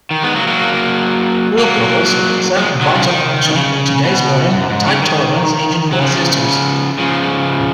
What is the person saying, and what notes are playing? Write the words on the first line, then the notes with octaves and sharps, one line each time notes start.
Fuel filters serve a vital function in today's modern, tight-tolerance engine fuel systems.
D#3
G#3 B3
F#3 A#3
F#3 A#3
F#3 A#3
F3 G#3
D#3 F#3
C#3 F3
D#3
B2
C#3
B2
F#2
G#2
C#3
D#3
F#3
C#3 F3
C#3 F3